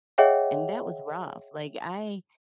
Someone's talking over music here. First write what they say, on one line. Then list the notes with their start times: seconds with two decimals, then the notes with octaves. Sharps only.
and that was rough, like, I
0.18 G#4 C#5 D#5 E5 F#5 G5